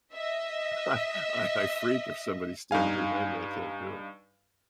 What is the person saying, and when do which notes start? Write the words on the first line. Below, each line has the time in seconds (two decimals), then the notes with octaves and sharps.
I I I freak if somebody's standing behind me. I can't do
0.13 D#5 E5
2.71 G2 D#4 F5 G#5